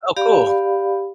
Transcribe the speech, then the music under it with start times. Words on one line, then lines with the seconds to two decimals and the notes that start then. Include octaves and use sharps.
Oh, cool.
0.17 G4 D5 F5 B5